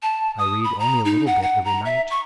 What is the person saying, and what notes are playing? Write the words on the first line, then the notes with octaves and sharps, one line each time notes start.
I read only a little bit every night.
A5
D#6
B5
A#5
D#4
F#5
F#5
A#5
E5
C#6